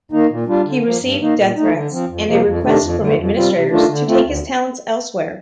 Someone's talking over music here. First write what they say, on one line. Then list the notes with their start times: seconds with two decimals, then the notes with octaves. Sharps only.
He received death threats and a request from administrators to take his talents elsewhere.
0.12 D#3 A#3 D#4
0.30 A#2
0.47 G3 D4 F4
0.65 D3
0.84 F3 A#3
1.01 G2
1.19 D#3 A#3 D#4
1.37 A#2
1.56 A3 D#4
1.73 D3
1.91 F3 C4
2.09 F2
2.27 C3 F3 A#3
2.45 F2
2.63 C3 D#3 A3 D4
2.82 F2
2.99 D3 A3
3.16 F2
3.35 C3 G3 C4 F4
3.53 C3
3.71 D#3 A3 D4 F4
3.88 D3
4.06 A3 C4 F4
4.24 D2